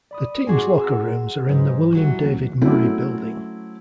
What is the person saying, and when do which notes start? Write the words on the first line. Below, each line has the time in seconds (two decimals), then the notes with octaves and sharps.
The teams locker rooms are in the Willam David Murray Building.
0.11 D5 B5 D#6
0.47 C4 F#4 G#4 G#5 C#6 D6
0.81 F#5 A#5 E6
1.49 G#2 F#3 B4 C5
1.92 D#3 E3 F#3 G3 F#4
2.23 D#2 A#3 C#4
2.61 F#3 A3 C4 C#4 E4